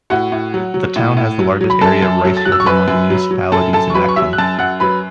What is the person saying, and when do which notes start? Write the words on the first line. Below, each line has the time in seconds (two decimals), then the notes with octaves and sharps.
The town has the largest area of ricefields among the municipalities in Aklan.
0.10 A2 F#4 F#5
0.32 A2
0.54 F#3
0.74 F#3
0.96 A2
1.17 A2
1.39 F#3
1.61 F#3
1.70 B5
1.81 F#2 A4 A5
2.02 F#2
2.25 F#3
2.37 A6
2.45 F#3 F#6
2.52 E6
2.60 C#6
2.66 F#2 B4 B5
2.88 F#2
3.10 F#3
3.31 F#3
3.52 F#2 A4 A5
3.73 F#2 A4 A5
3.90 C#6
3.95 F#3 B4 B5
4.09 C#6
4.16 F#3 E5 E6
4.33 F#6
4.38 F#2 A5 A6
4.59 F#2 F#5 F#6
4.80 F#3 B4 B5